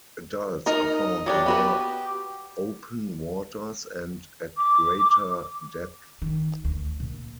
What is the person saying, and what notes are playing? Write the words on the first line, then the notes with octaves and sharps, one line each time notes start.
Adults are found in more open waters and at greater depth.
D#4 A#4
D#5 D#6
F#3 G3 D4 G4
B3 F#4 B4
D6
D#3
D2
A#2